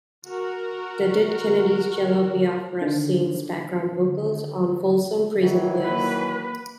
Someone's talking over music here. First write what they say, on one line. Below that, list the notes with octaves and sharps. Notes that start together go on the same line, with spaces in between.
The Dead Kennedys' Jello Biafra sings background vocals on "Folsom Prison Blues".
F#4 A#4
D3 D#3
D#3 E3 F#3
A#3 B4